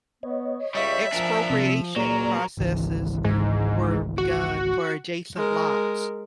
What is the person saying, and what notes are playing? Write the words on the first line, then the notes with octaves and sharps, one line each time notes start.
Expropriation processes were begun for adjacent lots.
B3 C#5 D#5
C#2 G3 E5 F5 C#6
F3 D4 A#4 G#5
C3 C4
C#2 A#2 F#3 A#3 A#4 D5
G#1 C#2 E3
G#2
F#4
G#3 A#4